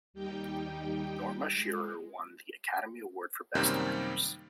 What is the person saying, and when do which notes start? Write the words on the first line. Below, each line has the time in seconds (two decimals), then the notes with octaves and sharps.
Norma Shearer won the Academy Award for Best Actress.
0.13 D#2 G3 D#4 G4 G5
1.51 G#3
3.55 F#2 C3 D#3 G3 A#3 C4